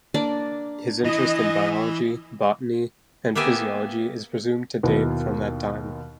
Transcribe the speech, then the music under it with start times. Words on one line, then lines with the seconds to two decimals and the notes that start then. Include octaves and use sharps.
His interest in biology, botany and physiology is presumed to date from that time.
0.14 A#3 D4 D5
1.04 E3 D#5
3.35 A#3 B3 G4 E5 G#5
4.83 D#2 B2 E4